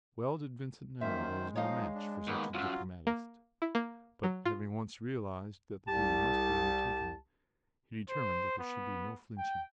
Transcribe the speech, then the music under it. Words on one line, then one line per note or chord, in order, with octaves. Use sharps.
Well did Vincent know that he was no match for such a diplomatist; but having once realized that the duty must be undertaken, he determined that there should be no flinching.
F#2 D#3 A#3 C5 E5
G#3
F3 D#4 C#5 D#5 F5
D4
D#2 A#3 B3
C2 F#2 F#3 F4
A#3
E4
A#3
F#3
F4
C2 G4 A5
C5
B3
G5